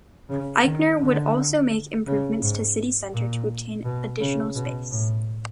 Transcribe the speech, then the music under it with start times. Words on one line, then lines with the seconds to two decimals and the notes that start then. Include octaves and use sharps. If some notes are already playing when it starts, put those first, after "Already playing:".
Eichner would also make improvements to City Center to obtain additional space.
0.29 C#3
0.64 D#3
0.99 D3
2.07 C#3
2.42 G#2
3.13 A#2
3.85 B2
4.20 C#3
4.56 B2
4.91 A2